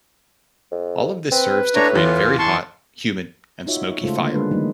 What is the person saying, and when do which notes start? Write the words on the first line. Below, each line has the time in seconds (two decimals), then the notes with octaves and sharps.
All of this serves to create a very hot, humid and smoky fire.
0.72 F2
1.31 C4 B4
1.75 A2 D4 C#5 A#5
1.95 E2 F4
2.39 A5 C6 C#6
3.67 D#4 F4 F#4 C#5 E5
4.04 C#3 G#3 A3 F4 A4 C5
4.20 D3 A#3 C#4 D4
4.34 G3 G#3 D4 G#4 B4
4.51 D#3 F3 G3 A3 A#3 D#4